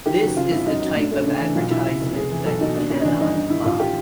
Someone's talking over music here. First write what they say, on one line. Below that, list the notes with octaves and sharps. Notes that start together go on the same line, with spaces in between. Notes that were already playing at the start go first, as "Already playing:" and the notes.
This is the type of advertisement that you cannot buy.
D#3 G4
F#1 F#4
C#3 F4
G#1 E4
F#2 D#4
F#2
A2 D4
A3 C#4
C#3 D4
E3 D4
B1 F4
B2 E4
C#3
F1
F1 G#4
E3
B1 A4
B2 D#4
D#2 D4
D#2 C#4
D#4
E3 D4
G1 D#4
G2 D#4
D#3 E4
A1 F4
G4